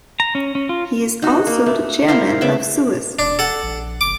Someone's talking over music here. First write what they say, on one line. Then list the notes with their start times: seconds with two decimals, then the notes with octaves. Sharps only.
He is also the chairman of Suez.
0.20 A#5
0.35 C#4
0.55 C#4
0.69 F4
1.22 D#4 F#4
1.47 A#3
1.66 A3
2.08 E4 A#4 C5 F5
2.41 C#3 B3 E5 D6
3.19 E1 D4
3.39 A4 F#5
3.62 A#1
4.01 F#1 D6